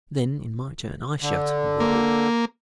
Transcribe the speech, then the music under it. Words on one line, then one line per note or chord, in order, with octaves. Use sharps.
Then, in my turn, I shouted "Whoa!"
D3
A#3